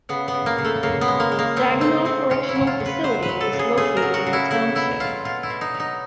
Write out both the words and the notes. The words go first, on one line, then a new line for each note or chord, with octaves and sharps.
Saginaw Correctional Facility is located in the township.
C#3 B3
B3
C#3
A#3
C#3
A3
C#3 A#3
B3
G#3
A#3
G#3
A#3
C#3 C4
A3 C4
C#3 C4
C#3 C#4
E4
F#3
F4
C#3
B4
F#3 C5
B4
F#3
A4
C#3
G#4
A3 G#4
A#4
F#3
F#4
C#3
E4
A3 E4
B2 E4
F#3 F4
B2 F4
E4
B2
D#4
F#3
D#4